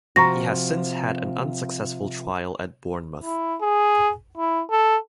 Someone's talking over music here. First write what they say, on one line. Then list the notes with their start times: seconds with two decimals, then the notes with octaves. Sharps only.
He has since had an unsuccessful trial at Bournemouth.
0.16 C3 F3 F#4 A#5 C#6 A#6
3.23 E4
3.61 G#4
4.37 E4
4.70 A4